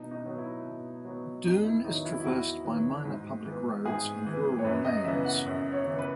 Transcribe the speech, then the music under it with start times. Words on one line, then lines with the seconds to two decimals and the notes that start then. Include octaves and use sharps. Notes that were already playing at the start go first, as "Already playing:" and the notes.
Doon is traversed by minor public roads and rural lanes.
Already playing: B2 D#4
0.11 D#4
0.25 F#3 B3
0.38 E4
0.65 B2
1.05 F#3 B3
1.45 E2 D#4
1.65 E4
1.84 D#3 F#3 B3 D#4
2.05 E4
2.20 E4
2.24 E2 F#4
2.64 D#3 F#3 B3
3.05 G#2
3.45 E3 B3
3.85 G#2 G#4
4.25 E3 B3
4.59 C#5
4.64 F#2 B4
4.85 D#5
5.04 C#3 E3 B3 E5
5.25 F#5
5.45 F#2
5.72 C#5
5.85 C#3 E3 B3
5.99 B4